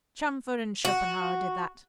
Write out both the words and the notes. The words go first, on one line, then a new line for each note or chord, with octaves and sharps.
Chamfort and Schopenhauer did that.
F#4